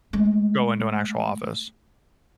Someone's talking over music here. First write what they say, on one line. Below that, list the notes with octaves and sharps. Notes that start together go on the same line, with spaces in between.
go into an actual office?
G#3 A3